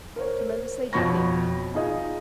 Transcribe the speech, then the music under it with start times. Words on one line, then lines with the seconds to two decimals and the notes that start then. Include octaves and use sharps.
'Tremendously happy.
0.16 A#4 C5 C#5
0.93 F2 B2 C#5 B5 C#6 A#6
1.74 D#4 F4 G#4 D#5